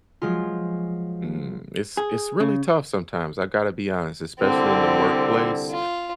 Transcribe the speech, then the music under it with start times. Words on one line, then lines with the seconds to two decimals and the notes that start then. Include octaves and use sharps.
Mm. It's it's really tough sometimes. I gotta be honest, especially in the workplace.
0.22 F3 F#3 G#3 F4
1.97 G#4
2.40 C#3
4.39 C2 D3 C4
5.70 F4